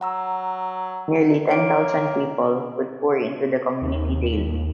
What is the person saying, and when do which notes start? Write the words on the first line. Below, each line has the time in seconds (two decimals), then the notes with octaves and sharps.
Nearly ten thousand people would pour into the community daily.
0.01 F#3 F#5 A#5 E6
1.49 A#3 C#5 D7
3.82 D#2